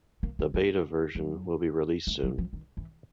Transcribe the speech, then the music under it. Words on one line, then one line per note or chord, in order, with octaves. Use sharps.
The Beta version will be released soon.
A#3
A3
A#3
F#3
A3
F#3
F3
D#3
E3